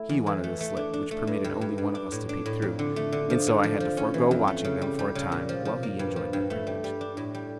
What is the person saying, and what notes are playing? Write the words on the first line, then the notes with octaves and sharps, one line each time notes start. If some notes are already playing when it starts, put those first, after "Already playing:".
He wanted the slit, which permitted only one of us to peep through; and so I had to forego watching them for a time while he enjoyed that privilege.
Already playing: A3 E4
E2
E3
A3
A3
D4
D4
A3
G2
G2
G2
G2
D4
A2
D4
A2
F2
D3
A3
D3
F3
D3
F3
F3
C#4
E3
F2
A3
C#3
G3
G3
C#3
A#2
F3
F3
A#3
G2
F3
G2
A3
G3
G3
D4
A2
G3